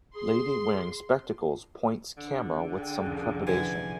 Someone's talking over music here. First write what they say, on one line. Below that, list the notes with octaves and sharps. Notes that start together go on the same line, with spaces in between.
Lady wearing spectacles points camera with some trepidation.
G#4 C6
D3
G#4 G5
C2 F2 F3 C#4
D3 E3 G#5